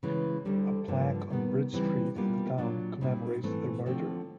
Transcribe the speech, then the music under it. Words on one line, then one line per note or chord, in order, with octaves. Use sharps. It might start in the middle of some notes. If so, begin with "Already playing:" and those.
A plaque on Bridge Street in the town commemorates their murder.
C#3 E3 G#3
D2 D3 G3
G2 D3 F3 A#3 D4
D#3 G3 B3
C#3 E3 G3 C4
B2 G3 A#3 D4 F4
A#2 F#3 A#3 D4 F4
A#2 G3 C4 D#4
G#2 E3 A3 C4
D3 F3 A3 C4